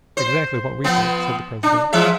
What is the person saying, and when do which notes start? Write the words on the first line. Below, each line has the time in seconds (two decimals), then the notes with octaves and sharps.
"Exactly what we think," said the president.
0.17 C5
0.84 F3 B3 C4
1.63 D4
1.93 E3 G#3 E5